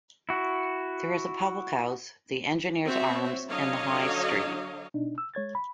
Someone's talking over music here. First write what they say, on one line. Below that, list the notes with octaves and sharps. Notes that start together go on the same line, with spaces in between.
There is a public house, The Engineer's Arms in the high street.
E4 F#4
C4 F#4 C5 C#5 E5
D3 F#3 D4 C#5 D#5 F5
B2 D4 D#4
E6
G#3 C#5 G#6 A6
B5